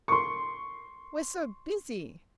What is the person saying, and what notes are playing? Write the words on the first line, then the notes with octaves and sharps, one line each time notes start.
"We're so busy."
C6 C#6